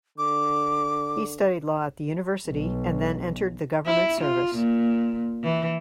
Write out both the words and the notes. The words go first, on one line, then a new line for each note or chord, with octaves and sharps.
He studied law at the university, and then entered the government service.
D3 D6
B1
E4
F4
A#2
E3